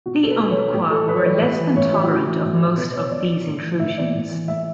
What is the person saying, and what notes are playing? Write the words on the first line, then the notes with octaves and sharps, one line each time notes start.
The Umpqua were less than tolerant of most of these intrusions.
B2 F#4
A4
B4
B2 A4
C#5
B4
A2 G4
E3 A4
A2 B4
C#5
E3 D5
G4
A2 B4
E3
A2 C#5
E3 G4
E4
A2 F#4
E3
A2
E3
B2 B4
C#5
B2 D5
A2
E3
A2 E5
E3 D5
A2
E3
A2 E5